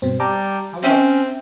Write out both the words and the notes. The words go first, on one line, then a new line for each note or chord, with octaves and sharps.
How 'bout
G2 B2 C4
G3 A5 A#5 D6
C4 C#4 E5 G5